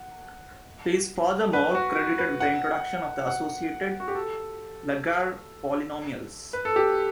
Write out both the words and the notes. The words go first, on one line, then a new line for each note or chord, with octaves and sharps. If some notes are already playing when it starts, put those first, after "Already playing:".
He is furthermore credited with the introduction of the associated Laguerre polynomials.
Already playing: F#5
B4
F#4
B4
F#5
F#5
F#4
G4
A4
B4
A4
G4